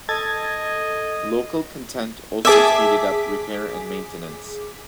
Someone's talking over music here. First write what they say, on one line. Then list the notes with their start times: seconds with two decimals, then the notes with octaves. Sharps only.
Local content also speeded up repair and maintenance.
0.09 A4 D#5 G#6 A6
2.45 G#4 E5 A5 D6 B6